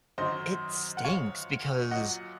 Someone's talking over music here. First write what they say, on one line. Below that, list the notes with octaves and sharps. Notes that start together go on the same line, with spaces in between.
It stinks because
F#2 D#3 F#3 C5 D#5
F#5
C#5 F5
A#2 F#3 D#5 F#5